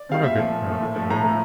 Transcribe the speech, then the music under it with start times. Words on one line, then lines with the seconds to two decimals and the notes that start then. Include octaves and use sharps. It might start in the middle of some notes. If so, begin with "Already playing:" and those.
"Margaret!" her aunt called.
Already playing: D5
0.09 G3 C4 F5
0.23 A#2 E5
0.38 F3 A3
0.52 A#2
0.66 F3 A3
0.81 A2
0.96 F3 A3
1.10 A2 A#5
1.24 F3 A3